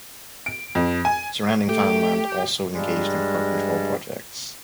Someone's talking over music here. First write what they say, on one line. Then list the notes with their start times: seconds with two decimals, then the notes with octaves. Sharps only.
Surrounding farmland also engaged in flood control projects.
0.46 D7
0.75 F2
1.05 G#5
1.69 A3 G4
2.73 G2 G3 G#3